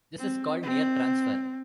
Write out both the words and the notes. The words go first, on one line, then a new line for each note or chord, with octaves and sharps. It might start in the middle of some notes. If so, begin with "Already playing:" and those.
This is called near transfer.
C4
C4